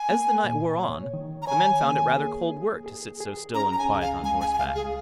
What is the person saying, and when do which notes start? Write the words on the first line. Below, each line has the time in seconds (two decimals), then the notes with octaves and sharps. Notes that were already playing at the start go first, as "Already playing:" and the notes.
As the night wore on, the men found it rather cold work to sit so still and quiet on horseback.
Already playing: G#5
0.10 A#3
0.44 A#2
0.79 C#5
1.14 D#3
1.42 A#5
1.47 C#5 G#5
1.82 A#3
2.17 G#4
2.51 G#4
2.86 G#4
3.20 G#4
3.54 C#4 A#5
3.73 A#5
3.78 G#5
3.90 C#2
4.01 F5
4.23 G#3 G#5
4.41 G#5
4.53 G#5
4.58 C#2 F5
4.75 G#4